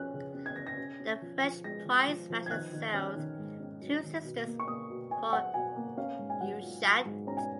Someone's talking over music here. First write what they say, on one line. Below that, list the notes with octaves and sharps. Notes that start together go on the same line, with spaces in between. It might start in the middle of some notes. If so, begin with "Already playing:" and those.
The French prize master sailed "Two Sisters" for Ushant.
Already playing: F3 C#4 F#6
C#3
C#4
G#6
C#3 A#6
A#6
C#4
C#4
F3
F3
G#3 A#6
F3
F3
F3
G#6
D#3 F#6
D#3
C#4 F6
D#3
G#2
C#4
F#3
D#3
B2
A#3
C#6
A#3 D#6
B2
B2 G#5
F#3 F#5
B2 G#5
A#3
C#4 F5
G#2
G#5
F#3 F#5
F4
F#3
G#2
C#4 A#5
G#5